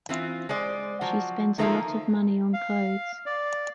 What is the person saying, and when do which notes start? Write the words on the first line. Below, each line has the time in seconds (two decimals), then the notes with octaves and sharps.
She spends a lot of money on clothes.
0.09 E3 C4 F4
0.49 G#3 C5 D5
1.01 F3 F#3
1.58 D#3 F3 A3 A#3 D#4 F4
2.54 F5
3.26 D5